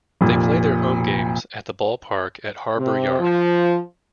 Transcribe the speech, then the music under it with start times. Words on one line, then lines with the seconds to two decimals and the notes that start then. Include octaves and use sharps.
They play their home games at The Ballpark at Harbor Yard.
0.21 F1 A#2
2.77 C3
3.19 F3